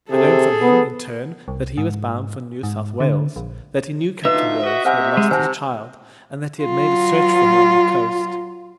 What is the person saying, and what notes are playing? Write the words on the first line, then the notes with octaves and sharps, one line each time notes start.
I learned from him, in turn, that he was bound for New South Wales; that he knew Captain Rose, who had lost his child, and that he had made a search for her on the coast.
C3 G#4 A4
B3
C2
G#2
G#2
D3
A#1
D2 D#4 F4 B4 E5
F#4 D#5
C3 C5 F#5 G#5
G#3
D#3 F#4 C5 G#5 A5
F#3 F4